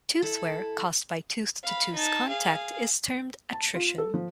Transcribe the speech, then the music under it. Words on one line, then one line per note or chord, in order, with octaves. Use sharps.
Tooth wear caused by tooth-to-tooth contact is termed attrition.
E4 A4
F5 B5
D#4 A5
G#4 F5
A5
F4
A4
F3